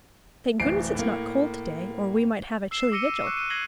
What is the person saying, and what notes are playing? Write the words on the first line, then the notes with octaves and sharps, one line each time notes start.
Thank goodness, it's not cold to-day or we might have a chilly vigil.
D1 A1 C7 D7
A2 A#3
E6 C7 E7
D6 E6 A#6 C#7 D#7 G7
E6
C#6 D6 F#6
F#6 C#7 D#7
G#6 A#6 C7 F#7 G7